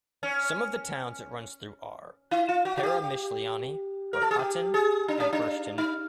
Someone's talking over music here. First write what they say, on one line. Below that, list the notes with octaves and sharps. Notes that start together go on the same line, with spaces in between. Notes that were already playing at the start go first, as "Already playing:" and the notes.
Some of the towns it runs through are: Peremyshliany, Rohatyn, and Burshtyn.
C#4
E4
F4
F#4
F#4
G4
A#4
A4
G#4
G4
G#4
D4
C#4
D4
D#4